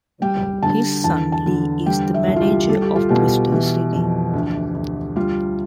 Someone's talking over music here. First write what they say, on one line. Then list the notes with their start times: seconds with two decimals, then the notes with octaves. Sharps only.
His son Lee is the manager of Bristol City.
0.22 G3 G5
0.62 D3 A5
1.04 E2 A5
1.32 A5
1.46 D3
1.86 G3 G5
2.14 E5
2.28 C2
2.36 F4
2.41 G4
2.69 G3 A4
2.82 G4
2.96 F4
3.09 B2 G4
3.52 E3
3.92 F2
4.33 D2
4.75 D2
5.16 G3 F4